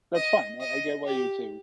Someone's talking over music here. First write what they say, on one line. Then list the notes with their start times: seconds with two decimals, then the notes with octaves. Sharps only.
that's fine, I I get why you'd say,
0.15 D#5
0.60 D#5
1.06 G4